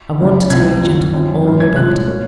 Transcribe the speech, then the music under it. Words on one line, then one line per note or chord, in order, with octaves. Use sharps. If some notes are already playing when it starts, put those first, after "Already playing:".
"I want to tell you gentlemen all about it."
F#1 F#2 C#3
C2 C3 F3 C4 G#6
F#1 F2 D#3
F#2 F3 C4
G#1 F#2 D#3
G#6
C2 A#2 F3 G#3 C#4 F#6
A#2 F#3 A#3 C#4